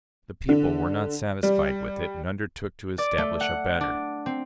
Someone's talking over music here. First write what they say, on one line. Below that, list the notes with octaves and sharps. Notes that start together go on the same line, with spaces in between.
The people were not satisfied with it, and undertook to establish a better.
D3
G3
D5
A3
F#5
D4
C4